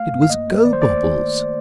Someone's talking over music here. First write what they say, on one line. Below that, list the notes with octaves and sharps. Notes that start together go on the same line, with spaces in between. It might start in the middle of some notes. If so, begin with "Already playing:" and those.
"It was Gobobbles."
Already playing: A3 F5
G2
F5
A#3 D#5
A#3
D#3 D5
C5
A3 D5